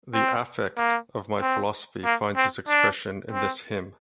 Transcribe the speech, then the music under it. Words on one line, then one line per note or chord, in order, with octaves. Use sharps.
The affect of my philosophy finds its expression in this hymn.
C4
A#3
C4
A#3
C4
D4
C4